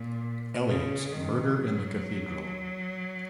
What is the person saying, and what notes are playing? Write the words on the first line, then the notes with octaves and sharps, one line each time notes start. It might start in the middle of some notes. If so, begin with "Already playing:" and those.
Eliot's "Murder in the Cathedral".
Already playing: A#2
C#3
D#3
F#3